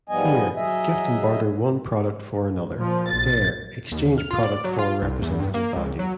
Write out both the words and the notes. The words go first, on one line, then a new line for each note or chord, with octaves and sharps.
Here, gift and barter-one product for another; there, exchange-product for representative value.
G#2 F3 G3 B3 D#5 G#5
F#3 G#4 D#5 E5
A#2 F3
A#1 A6
D#2
F6
F4
D5
F#3
F4
C2
E2
G2
A#3
C#2
F#3